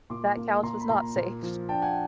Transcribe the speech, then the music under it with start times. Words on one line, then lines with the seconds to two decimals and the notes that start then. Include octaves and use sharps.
That couch was not safe.
0.10 A#2 C6 D6
0.37 A#3
0.63 A#2 A#5 C6
0.81 B5
0.90 A#2 A#5 C6
1.16 A#2
1.43 F3
1.69 D4 G5 A5
1.82 F#5 G#5